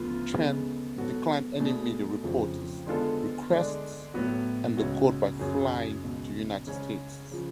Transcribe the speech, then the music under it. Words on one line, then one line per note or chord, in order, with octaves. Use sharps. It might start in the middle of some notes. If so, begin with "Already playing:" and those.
Chen declined any media reporters' requests and the court by flying to United States.
Already playing: D2 C#3 F3 B3 F4
C#3 G#3 B3
G#2 F#3 B3 F#4 A4
B2 A3 D4 G#4
F2 C#3 F3
D3 G#3 B3 F4 A4
D3 G#3 D4
A2 F#3 B3 F#4
C#2 C#3 G#3 C#4 F#4
F#2 C#3 F#3 C#4 G#4
C#2 B2 G#3
C#3 G#3 C#4
C#3 F3